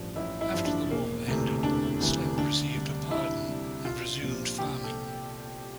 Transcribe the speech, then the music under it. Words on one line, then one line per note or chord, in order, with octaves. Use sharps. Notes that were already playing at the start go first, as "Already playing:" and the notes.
After the war ended, Slemp received a pardon, and resumed farming.
Already playing: A1 G2 F3
A1 E4
E4
G2 F3
D4
E1 A#3
D2 C3 E3 A3
E1 D4
D2 C3 E3 A3
D2 D4
C3 G3
D2 E4
C3 G3
C2 F4
A#2 F3 C4 G4
C2 G4
A4